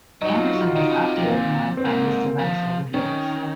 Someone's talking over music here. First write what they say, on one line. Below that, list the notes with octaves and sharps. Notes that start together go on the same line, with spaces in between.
Anderson has updated and modified this device over the years.
F#3 D#4
F4
F#4
F4
D#3 D#4
C#3
C3
C3
A#3
A#2 C4
C4
G#2 A#3
F3
D#3 C#4